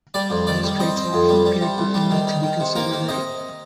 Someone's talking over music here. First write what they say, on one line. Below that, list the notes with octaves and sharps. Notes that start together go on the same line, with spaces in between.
These traits are often paired with the need to be considered "right".
G3 D5
F2
D#3 D5
G3
C4 D#5
C4
F2
G3
G3
C3
C2
G3
D#3
D#3
D#3
C3
A#3 A#4
D#3
C3 D#5